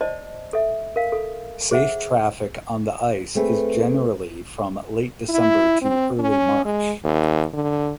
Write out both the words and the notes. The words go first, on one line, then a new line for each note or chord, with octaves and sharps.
Safe traffic on the ice is generally from late December to early March.
C5 D5 D#5 A5
A4 E5
A#4 F5
A4
G#4 C5 E5 F#5
A3 C4 G#4 B4
E4
C4
C#4
G#3
D#2
D3